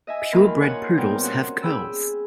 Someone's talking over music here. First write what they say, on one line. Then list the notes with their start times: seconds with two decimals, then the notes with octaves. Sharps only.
Pure bred poodles have curls.
0.07 D#5 E5 G#5
0.33 D#2 F4 A#4 A#5 B5
0.61 F3 F4 C#5 F#5 G#5
0.98 A#2 F3 G3 B3 A#4 G5
1.21 C4 C#4 F#4 F#6
1.62 G#4 G5 B5 E6